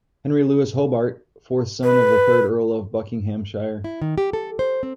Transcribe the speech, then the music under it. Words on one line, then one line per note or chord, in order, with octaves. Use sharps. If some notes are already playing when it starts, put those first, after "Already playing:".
Henry Lewis Hobart, fourth son of the third Earl of Buckinghamshire.
B4
E4
D#3
G4
A4
C5
C4